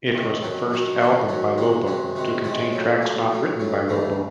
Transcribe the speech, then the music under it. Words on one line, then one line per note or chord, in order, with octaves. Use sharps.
It was the first album by Lobo to contain tracks not written by Lobo.
C#2 C3 D#3
F#2 D#3 F#3 C#4 F#4
F#2 D#3 F#3 C#4 F#4
F#2 D#3 F#3 C#4 F#4
F#2 D#3 F#3 C#4 F#4
C3 D#3 G#3 C#4 F#4
C3 D#3 G#3 C#4 F#4
C3 D#3 G#3 C#4 F#4
C3 D#3 G#3 C#4 F#4
A2 F#3 C#4
A2 F#3 C#4
A2 F#3 C#4
A2 F#3 C#4
D#2 C#3 E3 A3